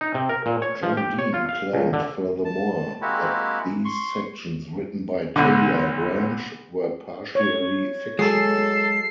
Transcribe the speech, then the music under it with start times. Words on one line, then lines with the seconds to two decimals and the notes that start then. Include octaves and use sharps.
John Dean claimed furthermore that these sections written by Taylor Branch were partially fictional.
0.01 D#4
0.14 C3
0.29 A#4
0.46 A#2
0.62 C#5
0.83 F3
0.97 G4
1.19 C#5
1.34 F4
1.49 F5
1.73 C#2
1.93 D3
2.45 A5
3.02 G#3 A#3 C4 E4 F#4 G4
3.85 C6 C#6
5.36 B1 D3
7.35 C#5
8.19 F#3 G#3 A4 C7